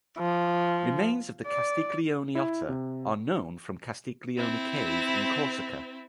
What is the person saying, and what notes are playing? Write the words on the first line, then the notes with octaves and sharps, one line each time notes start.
Remains of the Castiglione otter are known from Castiglione Cave in Corsica.
F3
D5
E4
C3
C4 E4